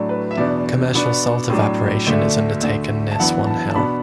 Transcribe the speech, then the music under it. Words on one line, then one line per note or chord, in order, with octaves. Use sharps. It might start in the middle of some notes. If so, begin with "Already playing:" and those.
Commercial salt evaporation is undertaken near Swan Hill.
Already playing: A2 F#3 A3 D4 D5
B4
E5
E2 B2 B3 D4 D5
B2 B3 D4
A2 F#3 D4
D2 D3 A3 D4 E5
D2 D3 A3 D4
A5
F#2 E3 B3 D4 F#5
A5
A5
B2 B3 D4 B5